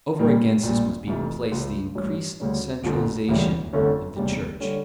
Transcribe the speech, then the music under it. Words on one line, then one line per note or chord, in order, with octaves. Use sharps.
Over against this must be placed the increased centralisation of the Church.
A#2 G3 A#3
A#1 A#2 G3
F1 F2 E3
C#2 C#3 F3
A1 G2 F3 C#4
D2 C#3 G3 C#4
G1 F2 D3 F3
E1 D2 C#3 E3 G3
G1 F2 D3 A3 C#4
F1 E2 C#3 G3
D3 G3 C#4